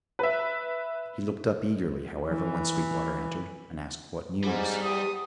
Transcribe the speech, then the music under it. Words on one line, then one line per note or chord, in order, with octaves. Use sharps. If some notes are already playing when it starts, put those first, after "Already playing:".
He looked up eagerly, however, when Sweetwater entered, and asked what news.
B4 E5
E3
G#2 G3
E2 G4 D#6